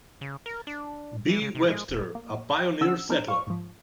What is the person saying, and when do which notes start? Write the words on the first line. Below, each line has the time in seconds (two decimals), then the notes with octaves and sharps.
B. Webster, a pioneer settler.
0.21 C#3
0.46 A#4
0.67 D4
1.29 E3
1.41 C#3
1.55 C3
1.68 G#3
1.89 D#1
2.15 A#3
2.81 D3 C#4 D4 F#5 E6
3.09 B3 D4 D#4 A#4
3.28 F5 C#6
3.47 G#2 F3